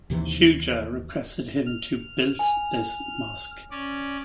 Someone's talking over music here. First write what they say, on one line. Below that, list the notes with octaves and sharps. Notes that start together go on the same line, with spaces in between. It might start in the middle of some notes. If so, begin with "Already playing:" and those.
Shuja requested him to built this mosque.
D#2 C3 E3
F6
G#5
C#4 D5